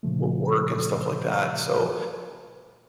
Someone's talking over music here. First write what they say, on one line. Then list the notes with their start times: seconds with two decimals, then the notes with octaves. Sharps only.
w work and stuff like that, so,
0.03 A#2 C#3 F3 A3